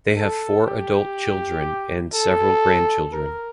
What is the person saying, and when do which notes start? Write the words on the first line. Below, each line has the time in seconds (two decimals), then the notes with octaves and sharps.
They have four adult children and several grandchildren.
0.17 A4
0.66 G4
2.14 A4
3.13 A#4